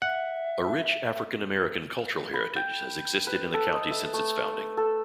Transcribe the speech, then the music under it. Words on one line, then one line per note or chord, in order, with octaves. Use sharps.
A rich African American cultural heritage has existed in the county since its founding.
E5 F#5
B5
G5
B4
A4
D#5
E5
A3
A4